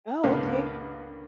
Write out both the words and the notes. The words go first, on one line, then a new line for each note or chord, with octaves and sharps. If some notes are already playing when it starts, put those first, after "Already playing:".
Oh, okay.
C#2 G2 D3 A#3 B3 F5